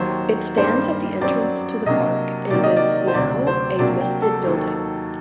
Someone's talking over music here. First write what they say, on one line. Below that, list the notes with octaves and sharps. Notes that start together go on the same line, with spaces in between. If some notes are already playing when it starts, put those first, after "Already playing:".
It stands at the entrance to the park and is now a listed building.
Already playing: D#2 D#3 F#3 C5
G2 D#3 G3 A#3 C5
F#2 F#3 C4 D5
C3 F#3 A#3 D4 D#5
C3 D#3 F#3 A#3 D5
D#5
D5
C5
D2 C3 F#3 D5
C5
C3 F#3 A#3 D4 D5
G5
A4
D#2 D#3 F#3